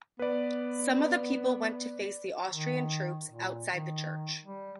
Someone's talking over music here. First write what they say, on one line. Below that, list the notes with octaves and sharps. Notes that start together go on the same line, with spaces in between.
Some of the people went to face the Austrian troops outside the church.
B3 B4 D5
D#3
A#2
D#3
G3